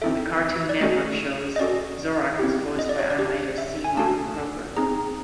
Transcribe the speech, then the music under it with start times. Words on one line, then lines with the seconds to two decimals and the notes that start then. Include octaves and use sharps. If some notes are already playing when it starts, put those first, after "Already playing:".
On the Cartoon Network shows, Zorak was voiced by animator C. Martin Croker.
0.02 C4 E4 A4 E5
0.69 D5
0.81 A3 C#4 F#4 A4 D#5
1.56 D#5
1.59 C#4 F#4 A4 D5
2.39 C4 E4 G4
2.79 D#5
2.89 D5
2.99 C#5
3.10 D5
3.18 D4 G4
3.58 E5
3.84 G#5
3.97 A3 D4 F#4 A4 A5
4.77 C4 D#4 G#4 A#5